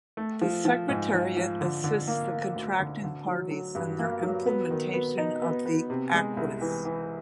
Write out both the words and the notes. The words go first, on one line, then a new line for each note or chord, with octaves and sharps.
The Secretariat assists the Contracting Parties in their implementation of the acquis.
A3
F3
F3
G#2
F3
F3
D3
D3
A#3
A#3
D2
D3
D3
F#3
F#3
G2
A#3
F#3
B3
D#3
B3
D#4
B3
B3
C3
G#3
C2
E3
E3